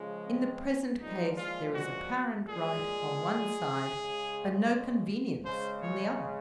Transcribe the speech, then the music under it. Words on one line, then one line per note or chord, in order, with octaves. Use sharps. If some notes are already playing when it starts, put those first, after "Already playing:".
In the present case there is apparent right on one side, and no convenience on the other.
Already playing: C#3 F3 G#3
C4
A#2 F3 G#3 D#4
F4
F#4
A#2 G#3 G#4
C#3 G#3
C#3 G#3 C5
C#5